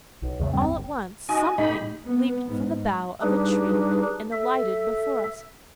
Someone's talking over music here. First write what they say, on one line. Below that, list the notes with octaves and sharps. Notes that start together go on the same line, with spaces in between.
All at once--something--leaped from the bough of a tree and alighted before us.
B1
E2 C#3 A3
E2 G2 G3 C4
G1
D#4 F#4 D#5 G#5
A2 D#4 G4 B5
B3
G#2
G3 D4 D#4 G4 G#4 B4
A4 E5